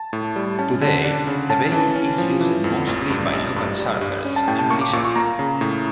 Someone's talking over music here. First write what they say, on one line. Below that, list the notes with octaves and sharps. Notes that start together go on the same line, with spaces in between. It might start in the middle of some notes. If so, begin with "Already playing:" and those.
Today, the bay is used mostly by local surfers and fisherman.
Already playing: A5
A2
G3
C#4 A5
D3
D4
C#3
C#4 A5
E3
C#4
F3
E3
F2
A1
G2
A1
G2
G3
G2
C#4
A5
A2 G5
A5
A#3 C#6
D6
A#2 C#6
C#6
A#3 A#5
C#3
A2